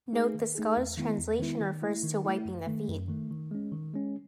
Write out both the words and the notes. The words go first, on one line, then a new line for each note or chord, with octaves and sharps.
Note this scholars translation refers to wiping the feet.
A3 D#4 G#4
D#3
A3 D#4 G#4
E2
D#3 G#3 B3 E4
E2
D#3 G#3 B3 E4
D#3
A3 E4
D#3
A3 E4
F#2
D#3 A3
F#2
D#3 A3
D#3
G#3 C#4
D#3
G#3 C#4